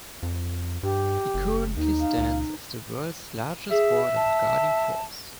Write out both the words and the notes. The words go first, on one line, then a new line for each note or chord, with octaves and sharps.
It currently stands as the world's largest border guarding force.
F2
G2 G4
F#1
D#2 D#4
F5
C#2
G#4 E5
A5